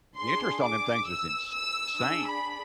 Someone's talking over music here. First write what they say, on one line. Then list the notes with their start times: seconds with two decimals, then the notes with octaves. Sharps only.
The interest on them things is ins sane.
0.17 D4 G#4 C6
0.63 D6
1.07 E6
1.52 E6
1.97 D4 G#4 E6
2.27 B5